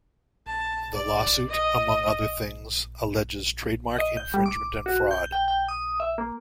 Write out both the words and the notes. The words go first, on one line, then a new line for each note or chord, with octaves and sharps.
The lawsuit, among other things, alleges trademark infringement and fraud.
A5
D5
D#5
D#5
G6
G3
D6
F#4
G6
G5
G5
D#6
E5
A#3